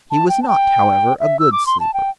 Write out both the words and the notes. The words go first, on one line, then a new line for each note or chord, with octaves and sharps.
He was not, however, a good sleeper.
A5
G5
A5
G5
E5
E6
D6
C6
A5
G5